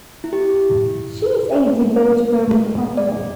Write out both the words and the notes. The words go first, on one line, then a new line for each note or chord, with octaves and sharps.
She is a devout Roman Catholic.
E4
G4
E4
D5